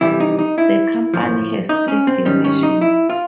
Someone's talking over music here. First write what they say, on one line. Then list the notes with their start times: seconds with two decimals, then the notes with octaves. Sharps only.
The company has three divisions.
0.01 F2 C3 E3 G3 E4
0.20 D#4
0.39 D#4
0.58 E4
1.14 A2 F3
1.69 D#4
1.88 C#4
2.07 C4
2.25 G#2 D#3 G3 C#4
2.44 C#4
2.63 D#4
2.81 E4
3.10 F4